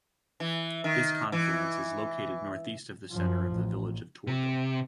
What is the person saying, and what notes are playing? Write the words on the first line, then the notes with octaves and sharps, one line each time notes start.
This confluence is located northeast of the center of the village of Tourville.
E3
D#3
E3
F#2 F3
A1
C3